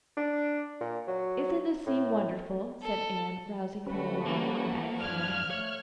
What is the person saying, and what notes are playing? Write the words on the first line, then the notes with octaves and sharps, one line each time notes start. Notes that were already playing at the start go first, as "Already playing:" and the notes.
"Isn't the sea wonderful?" said Anne, rousing from a long, wide-eyed silence.
D4
A#2
F#3
A2
A4
D3 G3 A3 C#4 F#4 B4
A#3
F3
F#2 D5 F5 F6 F#6 G#6
A3 C#5